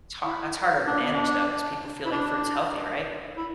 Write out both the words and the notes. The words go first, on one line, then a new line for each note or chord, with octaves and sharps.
It's har that's harder to manage, though, 'cause people feel like fruit's healthy, right?
E4
D4
B3
D4
E4
D4
E4